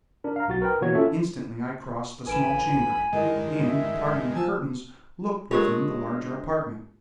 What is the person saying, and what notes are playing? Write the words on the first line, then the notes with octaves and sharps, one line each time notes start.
Instantly I crossed the small chamber, and, parting the curtains, looked within the larger apartment.
D4 A#4
F5 A#5
B1 F#4 A6
A#4 B4 G5
B2 E3 A#3 F#4 C#5 G#6
C#4 F4 A4 E5
A1 B4 G#5 B5 D7 E7
G2 D#3 G#3 E4 A#4 D#5
E5
F3 G#5 A5 E6
G#3 D4 F4 G4 A#4 C#5